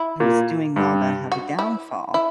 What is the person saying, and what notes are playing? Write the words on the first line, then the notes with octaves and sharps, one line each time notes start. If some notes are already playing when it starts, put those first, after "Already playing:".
who's doing well to have a downfall."
Already playing: E4
A#2
G2
F#4
E4
E4